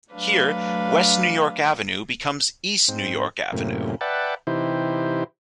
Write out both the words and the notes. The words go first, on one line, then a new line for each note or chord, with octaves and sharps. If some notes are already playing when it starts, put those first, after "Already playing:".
Here, West New York Avenue becomes East New York Avenue.
F#3 A3 D4 B4 F5
G#2 C4
F#2 A2 C3 A#3
B4 D5 E5 F#5 G5 A5
C3 E3 D#4 E4 G4 C5